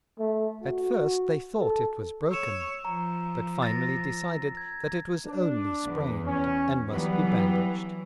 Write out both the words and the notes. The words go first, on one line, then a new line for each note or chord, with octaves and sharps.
At first they thought it was broken, but finally decided that it was only sprained, and must be bandaged.
A3
F#4
A4
C#5 E6 E7
F3 A#5
A6 A#6
G#6
D4
E2
C#4
E3 F#3 G3 B3